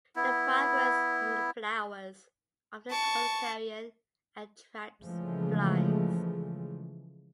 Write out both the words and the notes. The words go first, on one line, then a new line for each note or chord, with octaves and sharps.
The fragrance from the flowers, often called "carrion", attracts flies.
B3 E4
A5 C#6
C#3 E3 F3 G#3 A3